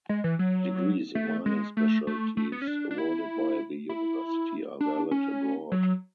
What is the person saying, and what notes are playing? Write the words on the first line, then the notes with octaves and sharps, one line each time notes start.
Degrees in mining specialities awarded by the University are valid abroad.
G#3
E3
F#3
A3
G#3
A3
A3
A3
B3
C#4
D4
D4
E4
E4
D4
C#4
F#3